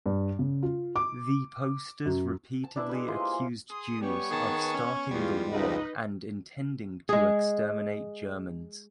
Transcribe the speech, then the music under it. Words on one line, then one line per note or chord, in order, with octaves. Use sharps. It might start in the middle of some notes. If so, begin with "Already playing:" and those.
The posters repeatedly accused Jews of starting the war and intending to exterminate Germans.
G2
C#3
F4
D6
F#2
A5
D4 E4 B4 E5
G#3 G4 B4
E4 F4 C5 D#5
A#3
G#5
G#4 C6 D#6
G3 B3 C#5 G#5 C#6
D#3 G#4 A5
C#4
E2 G3 G#3 F4
C#2 D#4 B4 D#5
G#3 G#4